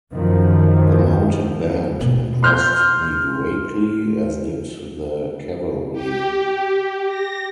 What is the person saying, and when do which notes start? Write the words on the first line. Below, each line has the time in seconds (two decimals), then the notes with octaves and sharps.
The mounted band impressed me greatly, as did the cavalry.
0.13 F#2 D#3 F3
2.00 B2 F4
2.43 C6 F6 G6
5.93 G4
7.07 A#6